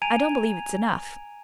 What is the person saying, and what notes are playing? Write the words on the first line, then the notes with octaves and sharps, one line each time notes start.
I don't believe it's enough.
G#5 A#5 G#6 D7 D#7 F7